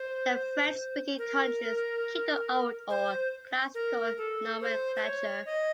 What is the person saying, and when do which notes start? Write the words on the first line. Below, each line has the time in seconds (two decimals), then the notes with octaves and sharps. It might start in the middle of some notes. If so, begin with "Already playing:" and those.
The French-speaking countries keep the old or classical nomenclature.
Already playing: C5
1.18 A#4
2.90 C5
3.75 A#4
4.18 A4
4.61 C5
4.96 C5
5.04 C#5
5.46 D#5